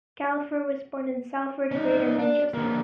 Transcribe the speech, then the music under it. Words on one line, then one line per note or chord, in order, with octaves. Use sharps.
Gallagher was born in Salford, Greater Manchester.
C#4 D#4
D4
D3 A#3